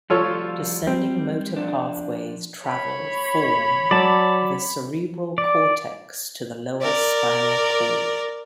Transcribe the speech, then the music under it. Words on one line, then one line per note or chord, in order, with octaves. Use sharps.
Descending motor pathways travel form the cerebral cortex to the lower spinal cord.
F3 G3 F4 A4 C#5
G3 C4
F3 D4
C#5 B5
F#3 D5 A5
D5
A#4 D5